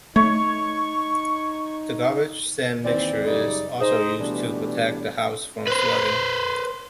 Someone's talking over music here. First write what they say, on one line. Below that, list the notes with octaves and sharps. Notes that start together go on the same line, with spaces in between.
The garbage-sand mixture is also used to protect the house from flooding.
A3 D#4 C#5 C#6
D#2 E3 C4 D5
F#2 C#3 G3 D#4 D5
D#4 G#4 C5
B2 E3 G3 A3 D4
B4 C5